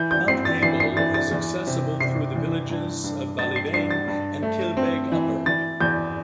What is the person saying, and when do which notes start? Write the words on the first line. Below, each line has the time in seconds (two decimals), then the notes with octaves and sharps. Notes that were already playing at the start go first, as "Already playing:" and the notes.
Mount Gable is accessible through the villages of Ballyveane and Kilbeg Upper.
Already playing: E3 G6
0.11 G6
0.28 C4 C7
0.45 A6
0.63 E3 C7
0.80 C7
0.97 E3 A6
1.14 A6
1.31 E2
1.67 C3
2.00 C3 C7
2.35 E2
2.70 G2
3.04 G2
3.39 G2 A6
3.56 C7
3.73 G2 C7
3.91 A6
4.08 G2
4.43 A3
4.77 C4
5.12 E3
5.46 E3 A6
5.80 E2 G6